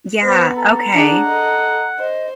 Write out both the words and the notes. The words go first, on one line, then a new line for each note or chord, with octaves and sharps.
Yeah, okay.
B3 C5
A4 A#5
D4 G#4 F#5
A4 D#5
C5 D#5